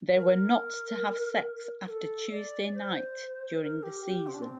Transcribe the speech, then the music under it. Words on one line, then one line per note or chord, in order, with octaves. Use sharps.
They were not to have sex after Tuesday night during the season.
A#4
A#4
A4
D5
C5
A#4
G4
G4
C4
D4
C4